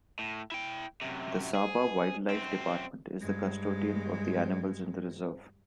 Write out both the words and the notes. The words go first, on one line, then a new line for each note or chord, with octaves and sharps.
The Sabah Wildlife Department is the custodian of the animals in the reserve.
A2
E4 G5
F#2 C3
G#4
F#2 C4
G2 G#3